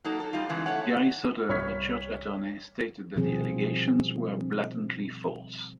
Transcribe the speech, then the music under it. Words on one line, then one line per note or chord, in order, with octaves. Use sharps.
Gary Soter, a church attorney, stated that the allegations were blatantly false.
F#3 A#3 D#4 A4
A4
G3 D#4 F4
C#3 E3 G#3
A3 C#5 F#5
C2 C#5 C#6 F6 G#6 B6
B2 D#3 F3 G3 C4 G#4